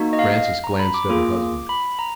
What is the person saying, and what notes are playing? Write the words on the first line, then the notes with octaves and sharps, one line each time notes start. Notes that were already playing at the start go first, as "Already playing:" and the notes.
Francis glanced at her husband.
Already playing: A#3 D#4 F#4
D#5
F5
A#5
B5
D6
A#3 F4 G#4
B5
A#5